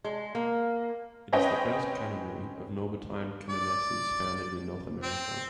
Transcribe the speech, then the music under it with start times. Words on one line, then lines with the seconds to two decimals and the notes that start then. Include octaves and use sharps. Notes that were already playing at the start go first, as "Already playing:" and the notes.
It is the first canonry of Norbertine canonesses founded in North America.
0.04 G#3
0.35 A#3
1.32 C4 C#4 B4 D#5 G5
3.50 D5
5.03 C4